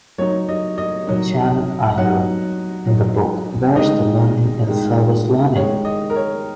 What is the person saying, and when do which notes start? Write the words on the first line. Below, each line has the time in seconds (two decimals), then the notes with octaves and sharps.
Janet Eyler, in the book Where's the Learning in Service-Learning?
0.18 F#3 D#4 C#5
0.49 D#5
0.78 D#5
1.07 F#3 D#4
1.97 F#3 D#4 F#5
2.86 F#3 D#4
3.76 D#3 G#3 D#4 D#5
4.66 D#3 G#3 D#4
5.55 D#3 G#3 D#4 C#5
5.85 D#5
6.10 A#4
6.16 C#5